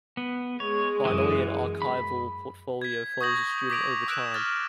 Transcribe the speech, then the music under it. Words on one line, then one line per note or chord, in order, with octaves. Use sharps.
Finally, an archival portfolio follows a student over time.
B3
G#3 C#5
F#2 E3 D#6
B5
G#6 B6
C#6 D#6 G6 A#6 F#7
D6 B6 D7 F7
C#6 E6 F#6 D7 E7
E6 F6 A6